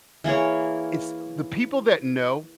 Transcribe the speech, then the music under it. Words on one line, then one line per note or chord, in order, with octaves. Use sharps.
it's the people that know,
E3 A#3 G#4 C#5